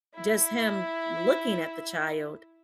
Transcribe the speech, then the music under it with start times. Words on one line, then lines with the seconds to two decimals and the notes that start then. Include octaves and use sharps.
Just him looking at the child
0.15 E4